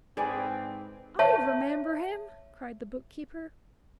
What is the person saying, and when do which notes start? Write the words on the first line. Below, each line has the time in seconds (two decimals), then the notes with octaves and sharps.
"I remember him!" cried the bookkeeper.
0.17 G#2 C4 G#4 A4 B4 D5 G5 G#5
1.19 C#5 E5 A5